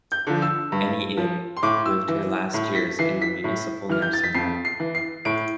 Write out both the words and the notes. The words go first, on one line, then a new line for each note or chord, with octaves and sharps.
Enni Id lived her last years in the municipal nursing home.
G6
D3 F3
E6
G2
F3
C6
A2 D6
E6
E3
A2
B6
E3 C7
B6
A2
E3 F6
G6
A6
B6
F2 C7
C7
E3
C7
A2 D7